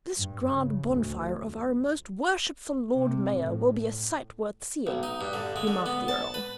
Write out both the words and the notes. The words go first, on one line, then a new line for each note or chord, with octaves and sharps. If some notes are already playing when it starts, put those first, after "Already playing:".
"This grand bonfire of our most worshipful Lord Mayor will be a sight worth seeing," remarked the earl.
G2
C#3
D2
F2
C3
A2
B1
D#4
G2
D3
G#3
D3
B3
A5
B4